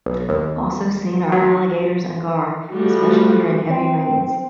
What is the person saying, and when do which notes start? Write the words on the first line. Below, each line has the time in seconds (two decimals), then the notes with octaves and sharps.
Also seen are alligators and gar, especially during heavy rains.
0.06 B1
0.29 D#2
1.32 F#3
2.72 F3 G3 A3 F#4
3.70 C4